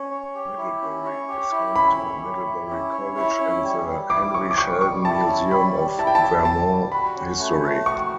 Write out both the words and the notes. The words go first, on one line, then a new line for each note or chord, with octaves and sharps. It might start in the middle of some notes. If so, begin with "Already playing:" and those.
Middlebury is home to Middlebury College and the Henry Sheldon Museum of Vermont History.
Already playing: C#4
C#5
G4
E4
C#4
C#5
G4
E4
C#4 B5
C#5
G4
E4
C#4
C#5
E4
C#4
G3
G3
E4 D6
C#4 C#6
D6
G3 C#6
G3 C#6
E4 A5
C#4
G3 B5
G3
E4 A5
G5
A5
C#4
G3 A5
G3
F#4 B5
C#4
A3
A3
F#4 C#6